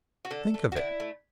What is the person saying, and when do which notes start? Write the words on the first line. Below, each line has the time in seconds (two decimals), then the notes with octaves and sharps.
Think of it!
0.25 F#4
0.31 D3 A4
0.54 A3
0.72 F#4
0.76 D3 E4
1.00 A3